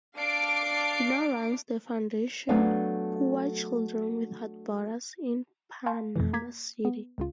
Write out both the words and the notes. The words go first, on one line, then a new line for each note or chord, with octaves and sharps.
He now runs the foundation, "Poor Children Without Borders" in Panama City.
D4 F5 D6 C7 D7
F#3 A3 B3 D4 F5 G#5
F5 G#5 A5 C6 C#6 G6
F2 B2 E3
A#3 A#5 D6 G#6 B6
B3
C#2 C#3 F4